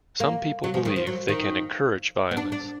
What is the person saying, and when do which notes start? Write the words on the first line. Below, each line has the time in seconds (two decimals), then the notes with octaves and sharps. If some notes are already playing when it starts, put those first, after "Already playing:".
Some people believe they can encourage violence.
0.20 A#3
0.64 F#3
0.74 F3
0.85 D#3
0.96 F3
1.07 F#3
1.28 D#3
2.31 B3
2.37 D4
2.52 D4